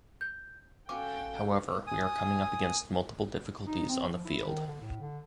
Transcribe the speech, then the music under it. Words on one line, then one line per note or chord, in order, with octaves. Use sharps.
However, we are coming up against multiple difficulties on the field.
G6
C#4 F#4 A4 F5 G5 D6
G#5 D#6
D#4
C4
F3
E4
D#3
D3
A2
D3